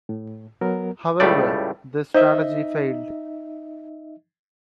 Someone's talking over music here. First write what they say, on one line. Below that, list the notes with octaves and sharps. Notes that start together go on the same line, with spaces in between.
However, this strategy failed.
A2
F#3 B3 A#4
C#2 A2 G3 A3 D5
D#4 C5 D#5 E5